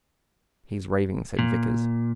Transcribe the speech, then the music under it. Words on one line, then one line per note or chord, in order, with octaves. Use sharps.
"He's raving," said Vickers.
A#2